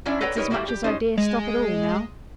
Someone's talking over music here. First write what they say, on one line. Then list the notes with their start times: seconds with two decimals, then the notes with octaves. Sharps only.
It's as much as I dare stop at all now.'
0.06 F#3 C#4 D4 E4 D5 E5
0.21 A4 B4 C#5 F#5 G5 A#5
0.36 G3 D#4 E4 A#4 B4 C#5
0.50 G3 A3 A#3 E4 F#4 G4
0.68 G4
0.84 C#4 D#4 C5 D#5
1.17 G#3